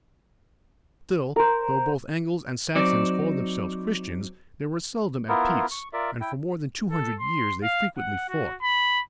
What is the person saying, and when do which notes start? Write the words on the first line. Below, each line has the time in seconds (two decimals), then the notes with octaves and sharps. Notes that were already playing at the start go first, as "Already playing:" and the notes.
Still, though both Angles and Saxons called themselves Christians, they were seldom at peace; and for more than two hundred years they frequently fought.
1.36 A#4 C5
2.75 F#3 C4 D#4 D5
5.29 B3 E4 F4 A#4
5.71 C#6
5.93 F4 A#4 D5 E5
6.21 E4 G5
6.91 A4
7.20 C6
7.63 F5
7.98 F#5
8.29 F#4
8.62 B5